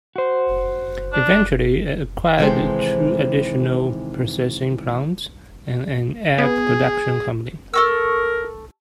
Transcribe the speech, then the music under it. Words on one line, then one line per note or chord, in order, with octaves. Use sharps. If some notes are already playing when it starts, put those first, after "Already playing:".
Eventually, it acquired two additional processing plants and an egg production company.
F#4 C5
D4
C3 D#3 E3 G#3 A4 C5
B3 G#4
A4 A#4 C#6 E6